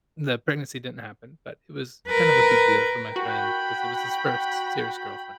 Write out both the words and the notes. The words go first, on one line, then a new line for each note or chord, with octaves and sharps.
the pregnancy didn't happen, but it was kind of a big deal for my friend, 'cause it was his first serious girlfriend.
A#4 B4
F#4 G5 B5